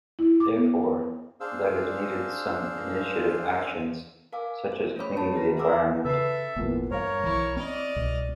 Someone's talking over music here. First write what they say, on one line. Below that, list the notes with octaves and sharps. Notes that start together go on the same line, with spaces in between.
Therefore, that is needed some initiative actions such as cleaning the environment.
E4
D6
B3
D4 G#4 C5 F5 E6
A#4 F5 G#5 D6
C5
A3 C#4 C#5 B5
C#4 F#4 A5 B5
G#4 B4 A#5 A#6
E5 F#5 G#5 D6 E6
C#3 A4 B4 E5 C7
G#1 E2 A#2 A#3
G2 A#4 C5 C#5 F5
B1 E3 E4 C#6
C4 D5 D#5 F6
C2 B2